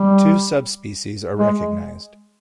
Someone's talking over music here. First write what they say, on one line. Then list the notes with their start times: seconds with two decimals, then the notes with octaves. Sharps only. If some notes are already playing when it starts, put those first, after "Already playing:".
Two subspecies are recognised.
Already playing: G3
1.39 G#3